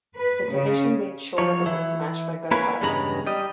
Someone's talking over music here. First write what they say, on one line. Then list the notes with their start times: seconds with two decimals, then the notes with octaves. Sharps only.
The division made shore, but was smashed by gunfire.
0.18 B4
0.51 C#3
1.38 F3 F#3 C#5
1.66 E3 E4
2.51 A#3 E4 A#4 B4 C#5 G#5
2.82 E2 G2 C#3 G#3 A#5 B5
3.27 G3 D#5